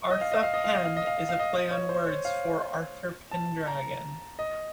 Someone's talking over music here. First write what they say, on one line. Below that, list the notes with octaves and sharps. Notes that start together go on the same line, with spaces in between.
Artha Penn is a play on words for Arthur Pendragon.
D#5
F5
D#5
F5
D#5
F5
D#5
F5
D#5
F5
D#5
F5
D#5
D#5
C#5
C5
C#5
F5
A5
A#5
D#5